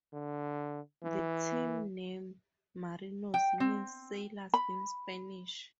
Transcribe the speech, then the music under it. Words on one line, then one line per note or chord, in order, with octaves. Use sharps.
The team name "Marinos" means "sailors" in Spanish.
D3
E3
G5
C4
B5